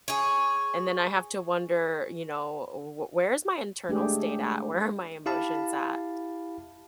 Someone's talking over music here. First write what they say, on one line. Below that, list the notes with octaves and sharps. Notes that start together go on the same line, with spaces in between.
and then I have to wonder, you know, uh, "Wh where's my internal state at? Where are my emotions at?"
G#4 C#5
G#3 A3 D4 G4 G#4
E4 G4 F5 A5 B5